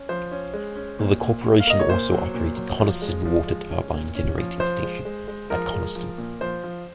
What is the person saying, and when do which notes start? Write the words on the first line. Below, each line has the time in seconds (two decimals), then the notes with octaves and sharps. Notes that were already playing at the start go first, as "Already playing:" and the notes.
The corporation also operated Coniston water turbine generating station at Coniston.
Already playing: C#4
0.09 F3 C5
0.31 C#4
0.53 G#3
0.76 C#4
0.99 A#2
1.21 A#2
1.44 A#2
1.60 F5
1.67 A#3 D#5
1.80 C#5
1.89 A#2 C5
2.12 F#3
2.34 A#2
2.56 F#3
2.80 F3
3.02 G#3
3.25 F3
3.47 G#3
3.69 C#4
3.93 A#2
4.15 C#4
4.38 F3
4.60 F3 C5
4.83 G#3
5.05 G#3
5.28 G#3
5.50 F3 A#4
5.73 G#3
5.95 F3
6.18 A#2
6.41 F3 C5
6.63 F3